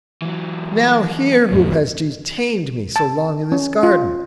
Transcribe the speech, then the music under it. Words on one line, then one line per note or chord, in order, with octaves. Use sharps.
Now hear who has detained me so long in this garden.
E3 F#3
F2 A2 F#3
A5
C#4
F4